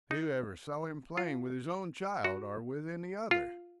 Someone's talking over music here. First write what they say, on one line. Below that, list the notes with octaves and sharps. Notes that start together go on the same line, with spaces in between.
Who ever saw him playing with his own child, or with any other?
D#4
F4
F#4
F4